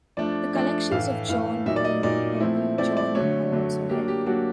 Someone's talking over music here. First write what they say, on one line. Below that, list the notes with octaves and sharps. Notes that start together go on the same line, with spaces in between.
The collections of John Boorman and Neil Jordan are also held.
F3 A3 D4 D5
F3 A3 D4
A2 E3 A3 F5
A2 E3 A3 F5
A#2 F#3 A#3 D#4 E5
D5
D#5
A#2 F#3 A#3 D#4 D5
F3 A3 C4 E4
F3 A3 C4 E4 D5
D5
D3 F#3 A3 C#5
D3 F#3 A3
F#3 A#3 D4 G4
G4
F#3 A#3 D4 F#4